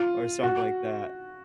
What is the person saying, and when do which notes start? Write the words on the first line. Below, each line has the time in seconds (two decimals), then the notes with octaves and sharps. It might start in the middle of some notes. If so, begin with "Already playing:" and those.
or something like that.
Already playing: F4
0.43 F#4